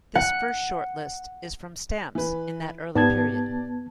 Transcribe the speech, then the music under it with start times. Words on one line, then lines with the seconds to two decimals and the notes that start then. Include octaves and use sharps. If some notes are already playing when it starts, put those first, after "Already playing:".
This first short list is from stamps in that early period.
0.15 F#5
2.15 E3 B4
2.96 G#2 B3 G4 D5 A5 G#6